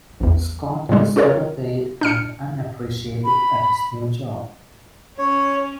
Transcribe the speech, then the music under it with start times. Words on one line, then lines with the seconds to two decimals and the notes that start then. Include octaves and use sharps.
Scott is underpaid and unappreciated at his new job.
0.20 A1 E2
0.89 A2 C#3 G3 G#3
1.16 C#4 F4 G#4 A#4 C#5
2.01 D4 F6 C#7
3.24 B5
5.18 C#4 C#5